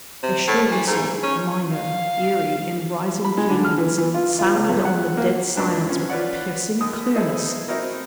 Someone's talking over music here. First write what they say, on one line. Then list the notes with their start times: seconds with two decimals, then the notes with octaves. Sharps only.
A shrill whistle--minor, eerie, in rising cadence--sounded on the dead silence with piercing clearness!
0.23 C3
0.48 A2
0.72 E3
0.88 G#2
1.23 C#4
1.72 F5
3.25 B5
3.38 G#3
3.50 D3
3.65 F6
3.78 E3
3.98 E3
4.14 F4
4.39 F4
4.56 C#2
4.69 G2
4.85 F#5
5.17 A#3
5.55 C#2 F#2 D4 B4 G5
5.87 F3 C#4
6.10 F4 B4 C#5 D5 F#5
6.81 D#2 D#6
7.15 D#4 E4 G#4 A4 C5
7.68 C4 D#4 E4 F#4 A#4 D#5